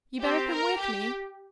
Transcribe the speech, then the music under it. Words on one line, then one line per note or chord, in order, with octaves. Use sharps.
You'd better come with me.
C4 G4
A#4
G4